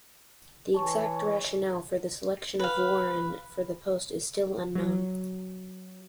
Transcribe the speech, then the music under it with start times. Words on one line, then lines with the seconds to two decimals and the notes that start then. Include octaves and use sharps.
The exact rationale for the selection of Warren for the post is still unknown.
0.74 E3 C#5 A5 C#6
2.59 B4 F5
4.75 F#3